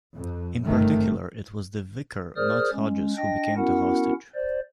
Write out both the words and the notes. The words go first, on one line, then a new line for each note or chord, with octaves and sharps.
In particular, it was The Vicar, not Hodges, who became the hostage.
F2
G1 F#2 C3 D#3 A3
G#4 A#4 C5 D5 D#6 F6
G#3 C#4
D4 D#5 G5 A#6
B3 C#4 E4 F#4 A#4 F#5
C5 D5